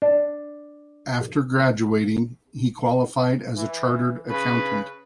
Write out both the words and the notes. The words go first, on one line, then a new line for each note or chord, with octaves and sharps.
After graduating, he qualified as a chartered accountant.
D4
E3
C#3 B4